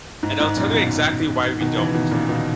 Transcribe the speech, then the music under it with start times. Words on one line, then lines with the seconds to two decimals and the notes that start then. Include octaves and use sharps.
And I'll tell you exactly why we don't.
0.23 G#2
0.40 G#2
0.56 F#2 A#2
0.73 B2 D#3
1.61 B2 D#3
1.77 C#3 E3
1.94 B2 D#3
2.11 A#2 C#3
2.29 B2 D#3